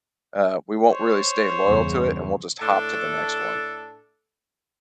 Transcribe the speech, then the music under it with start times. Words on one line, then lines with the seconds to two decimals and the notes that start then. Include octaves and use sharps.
uh, we won't really stay loyal to it and we'll just hop to the next one,
0.90 C5 C#5
1.62 E2 G2 C#3
2.62 A2 A3 D4 A4